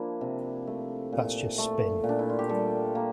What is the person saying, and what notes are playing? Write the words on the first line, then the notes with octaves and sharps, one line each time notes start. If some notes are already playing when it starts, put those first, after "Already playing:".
That's just spin.
Already playing: F3 A#3 D4 E4
C3
A3
A#2
A3
A#2
D4
E4
F4
G4
G3 A4
A#3